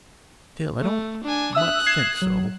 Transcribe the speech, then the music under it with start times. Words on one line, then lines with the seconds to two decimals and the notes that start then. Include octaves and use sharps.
Still, I don't much think so.
0.80 A3
1.24 D4 G#5
1.55 E5 D#6 E6 F#6
1.86 G#6 C7 E7
2.21 F#3